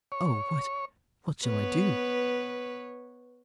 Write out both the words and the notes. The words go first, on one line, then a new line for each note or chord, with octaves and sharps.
Oh, what!--what shall I do?
C#5
B3 B4 C#5